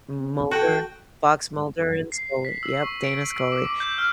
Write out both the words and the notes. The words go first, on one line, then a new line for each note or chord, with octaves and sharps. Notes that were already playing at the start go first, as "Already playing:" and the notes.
Mulder, Fox Mulder and Scully, yep, Dana Scully.
C4
F#4 A4 F#5 G5
C7
B6
E6
C#6
D7
E6
D6
D6
G6
F6